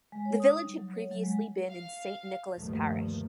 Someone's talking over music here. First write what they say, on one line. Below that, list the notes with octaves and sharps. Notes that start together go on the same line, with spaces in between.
The village had previously been in Saint Nicholas Parish.
G#3
C#5
D#6
D#4
G3
F#3
C#5
F#3
G#3
F5
D2 G2 D#3 F3 A3 A#3